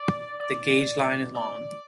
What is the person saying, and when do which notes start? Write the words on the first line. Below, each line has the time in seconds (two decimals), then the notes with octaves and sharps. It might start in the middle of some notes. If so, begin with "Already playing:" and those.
The gauge line is long.
Already playing: D5
0.40 D5
1.35 D5